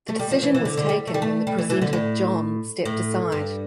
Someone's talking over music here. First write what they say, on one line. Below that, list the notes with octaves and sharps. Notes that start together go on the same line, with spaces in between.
The decision was taken when the presenter, John stepped aside.
A3
G3
F3
E3
E3
D3
D3
G3
A3
G3
A3
G3
E3
E3
D3
A2
A2
G2